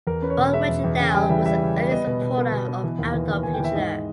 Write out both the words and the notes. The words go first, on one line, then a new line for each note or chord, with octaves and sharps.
Von Reichenau was an early supporter of Adolf Hitler.
E2 A#4
C#4 B4
C#5
B2
G#3 E5
E2
E2
C#3 G5
G#5
G3 G5
E3 E5
G3 E5
C#3
G3
B3 D#5
B2
B2
B3
B2
B3
E3
D#2
E3
D#2
D#2 G#5
G5
E3 E5
G#2 D#5